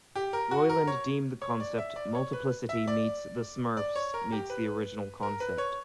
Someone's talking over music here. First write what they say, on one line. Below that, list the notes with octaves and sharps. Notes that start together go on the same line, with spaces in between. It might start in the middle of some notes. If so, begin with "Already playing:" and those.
Roiland deemed the concept "Multiplicity" meets "The Smurfs" meets the original concept.
G4
A#4
F#4
A#4
C#5
C#5
D5
E5
D5
C#5
B4
E5
D5
D5
C#5
A#4
G4
B4
A#4
B4
C#5